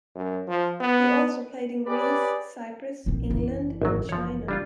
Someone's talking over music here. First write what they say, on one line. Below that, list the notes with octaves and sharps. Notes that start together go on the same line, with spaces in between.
He also played in Greece, Cyprus, England and China.
F#2
F3
B3
G4 G#4 B4 C#5 D5
A#1 C4
F#1 E3
G#1 F#3
F3 C#5
G3 D4 F4